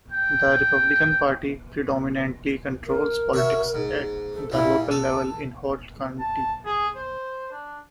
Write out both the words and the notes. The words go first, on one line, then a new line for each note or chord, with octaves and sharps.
The Republican Party predominantly controls politics at the local level in Holt County.
G5
A#4
F#4 C#5 E5
G#2
A4
A#2 G3 E4
A4 A5
A5
G#4
C5
D4